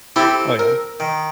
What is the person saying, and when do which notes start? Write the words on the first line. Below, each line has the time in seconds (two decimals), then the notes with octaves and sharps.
Oh, yeah?
0.16 C4 E4 G4 A4 A5
0.59 A#4
1.00 D#3